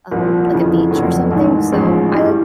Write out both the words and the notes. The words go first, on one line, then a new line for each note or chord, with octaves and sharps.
have um, like, a beach or something, so I like
C2 A#2 F3
F2 C#3 E3
F1 F2 D3 F#3
A1 G#2 D#3
A1 G#2 F3 G#3 C#4
G2 E3 G3